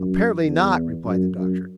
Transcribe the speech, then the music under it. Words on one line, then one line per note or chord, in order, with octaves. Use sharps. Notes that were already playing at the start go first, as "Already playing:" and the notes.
"Apparently not," replied the doctor.
Already playing: F#2
E2
F#2
F#2